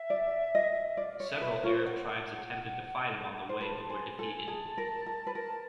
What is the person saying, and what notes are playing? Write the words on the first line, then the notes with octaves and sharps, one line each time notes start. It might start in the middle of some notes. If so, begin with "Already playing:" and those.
Several Arab tribes attempted to fight him on the way, but were defeated.
Already playing: E5
D5
D#5
D5 F5
C#5
E5
B4
C5
F4 C#5
C5
F#5
C5
B4 A5
C5 G#5
A4 G#5
G#4 A5
A#4
A#4
B4
A#4 A5